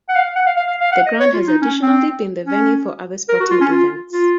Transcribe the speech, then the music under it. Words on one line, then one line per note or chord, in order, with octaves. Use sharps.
The ground has additionally been the venue for other sporting events.
F#5
F5
F#5
F5
F5
F5
F5
F#5
D#5
C#5
F4
D#4
C#4
C4
C#4
A#4
F#4
F4
C#4
F4
F4